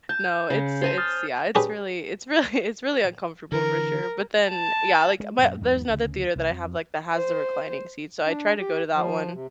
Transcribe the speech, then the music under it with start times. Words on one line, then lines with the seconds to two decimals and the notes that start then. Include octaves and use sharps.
No, it's it's yeah, it's really it's really it's really uncomfortable for sure, but then Yeah, like, my there's another theater that I have, like that has the reclining seats, so I try to go to that one,
0.09 A5 G6
0.50 C#3
0.82 C5 G#5 A5
0.98 D#6 F6 A6
1.55 C#4 D4 G4 G#4 B4
3.52 D3 E3 A#4
4.50 A5
5.20 G#3
5.38 F#2 A#2
5.61 E2 G#2 F#3
5.90 D2 C#3
6.35 C2
6.50 F2
7.13 C5
8.27 D4
8.59 G4
8.94 F3
9.33 C3